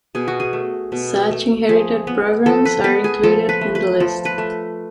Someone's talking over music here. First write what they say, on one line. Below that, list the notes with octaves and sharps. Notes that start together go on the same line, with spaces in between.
Such inherited programmes are included in the list.
B2 G#4
F#4
G#4
A3
B2
A3
F3 G#4
B3
F3 A4
B4
B3 B4
G#4
F3 A4
B4
A3
B4
F3 A4
B4
A3